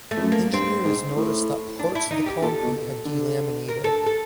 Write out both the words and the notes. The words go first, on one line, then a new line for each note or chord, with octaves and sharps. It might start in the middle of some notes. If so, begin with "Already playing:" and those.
Engineers noticed that parts of the concrete had delaminated.
A3
F2
F#2
A#3
G2 C4
G#2
A2
D4
E4
D#4
G4
A#2 A4
B2
D3
A#4
A4
A4